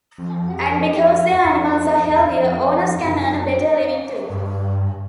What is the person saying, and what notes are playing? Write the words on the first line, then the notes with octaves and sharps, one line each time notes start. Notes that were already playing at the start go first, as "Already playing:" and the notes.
And, because their animals are healthier, owners can earn a better living too.
F2
F2
E2
F2
F#2
G2